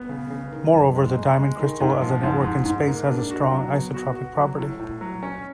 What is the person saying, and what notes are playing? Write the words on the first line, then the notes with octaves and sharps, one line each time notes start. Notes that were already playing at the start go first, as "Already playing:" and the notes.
Moreover, the diamond crystal as a network in space has a strong isotropic property.
Already playing: B3
C#3
C#3
D#3
F#2
G#3
G#3
G#3
D#3
G#2
F3
G#2
G#2
G#2
A#3
D4
F#4
F#3
B3
F#4
F#4
F#3
A2
A2
F#3
C#4